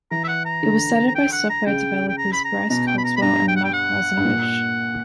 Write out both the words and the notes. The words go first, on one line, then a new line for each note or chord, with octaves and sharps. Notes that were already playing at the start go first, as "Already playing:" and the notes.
It was started by software developers Bryce Cogswell and Mark Russinovich.
E3 A#5
E5
F#5
A#5
D3
A#5
G5
F#5
A#5
C#3 G5
G5
A#5
B5
A#5
B2 A#5
G5
B5
A#5
B5
G2 A#5
G5
F#5
G5
F#5
G2
A#2